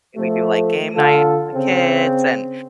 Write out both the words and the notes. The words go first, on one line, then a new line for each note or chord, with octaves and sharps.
we do, like, game night with the kids and
F3 A3
D3 F4 A4
C#3 C4